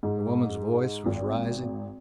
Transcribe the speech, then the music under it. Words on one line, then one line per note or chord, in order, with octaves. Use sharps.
The woman's voice was rising.
G#2
G#1